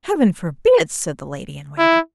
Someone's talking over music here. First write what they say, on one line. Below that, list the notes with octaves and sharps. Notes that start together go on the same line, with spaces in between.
'Heaven forbid!' said the lady-in-waiting.
E4